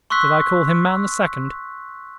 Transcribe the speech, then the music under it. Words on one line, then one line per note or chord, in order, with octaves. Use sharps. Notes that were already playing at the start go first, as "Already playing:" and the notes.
Did I call him man the second?
C6 C#6 E6 F#6 B6